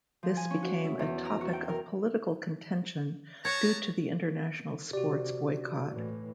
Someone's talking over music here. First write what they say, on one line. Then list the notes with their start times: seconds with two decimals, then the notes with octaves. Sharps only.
This became a topic of political contention due to the international sports boycott.
0.23 F3
0.37 G#5
0.50 C#4
0.63 F#4
0.85 E4
0.99 E2
1.25 A#5
1.41 F#4
1.53 G5
1.69 A#4
3.45 B3 C#5 A5 A#5
4.93 C3 F#4 G4 D5
5.90 A2 E3